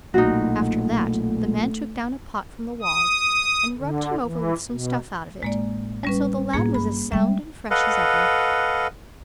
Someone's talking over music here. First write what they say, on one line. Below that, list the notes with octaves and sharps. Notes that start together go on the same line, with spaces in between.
After that the man took down a pot from the wall, and rubbed him over with some stuff out of it, and so the lad was as sound and fresh as ever.
B1 A#2 A3 D#4 F#4
D#6
D3
E3
B2
A1 G#3 A#3 D5
G3 C#4 B4
A2 A#3 B3 G#4
G1 B5
G3 G#3 E5 G5
A4 B4 D#5 F5 F#5